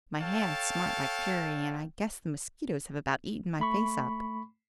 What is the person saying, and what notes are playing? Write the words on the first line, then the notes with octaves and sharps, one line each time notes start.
My hands smart like fury, and I guess the mosquitoes have about eaten my face up.
A4 C#5 F5 G5 A5
A3 B5 C#6